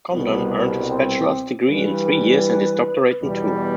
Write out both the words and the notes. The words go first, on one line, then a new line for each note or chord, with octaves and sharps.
Condon earned his bachelor's degree in three years and his doctorate in two.
C2 B2 G3 B3
C4
G2 E3 G3 B4
E2 B2 G3